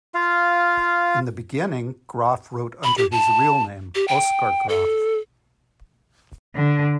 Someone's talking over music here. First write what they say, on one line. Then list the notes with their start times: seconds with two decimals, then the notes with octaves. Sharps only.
In the beginning Graf wrote under his real name Oskar Graf.
0.15 F4 F5
2.84 B5
2.98 G4
3.12 A5
3.95 G4
4.08 G5
4.69 A4
6.56 D3